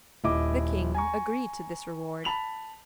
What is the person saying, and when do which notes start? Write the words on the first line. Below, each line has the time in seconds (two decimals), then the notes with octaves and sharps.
The king agreed to this reward.
0.24 D#1 E4 D#5 D6
0.95 G#5 A#5 C#6
2.24 A5 B5 F7 F#7